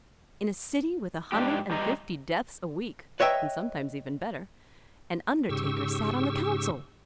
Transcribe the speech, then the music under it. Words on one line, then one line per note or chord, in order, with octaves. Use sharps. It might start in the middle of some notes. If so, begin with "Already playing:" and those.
In a city with a hundred and fifty deaths a week, and sometimes even better, an undertaker sat on the council!
G#2 D4 G4
G2 G4 D#5 A#5
B4 C#5 D#5 E5 G5 A#5
G#2 C#3 G4 C#6 E6